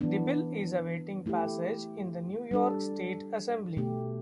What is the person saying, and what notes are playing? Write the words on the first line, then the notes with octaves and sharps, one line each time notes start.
The bill is awaiting passage in the New York State Assembly.
E3 B3 D4
A3 E4 G4
G3 D4 A4
B2 A3 G4